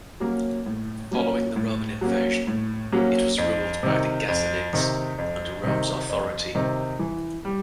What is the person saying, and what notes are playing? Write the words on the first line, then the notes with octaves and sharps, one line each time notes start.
Following the Roman invasion, it was ruled by the Ghassanids, under Rome's authority.
F#3 A#3 C#4
A2
F#3 A#3 C#4
A2
F#3 A#3 C#4
A2
F#3 A#3 C#4
F2
C3 D#3
F2
C3 D#3
F2
C3 D#3
F2
C3 D#3
E3
G3